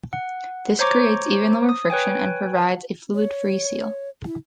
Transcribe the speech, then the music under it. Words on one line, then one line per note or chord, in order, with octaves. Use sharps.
This creates even lower friction and provides a fluid-free seal.
F#5
C5 C#5 A#5 C#6 D6
D#6
B4 C#5 G5 G#5
C#5
E4